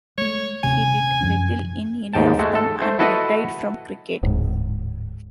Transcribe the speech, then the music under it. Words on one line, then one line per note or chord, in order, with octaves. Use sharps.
He did little in any of them, and retired from cricket.
G#3 A3 C#5
D#1 C3 C#4 G#5
F#2 F3 C#4
D#2 G#2 G5 A5
G#3 A3 F#4
A4
A3 C5
E4 F#4 A4 B4 D#5 F#5
D1 G#2